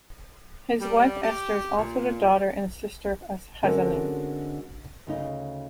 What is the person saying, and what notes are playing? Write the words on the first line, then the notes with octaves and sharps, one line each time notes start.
His wife, Esther, is also the daughter and sister of hazzanim.
G3
G4
A#2
D3 G#3 C4 C#4 F#4 A#4
D2 C#3 D#4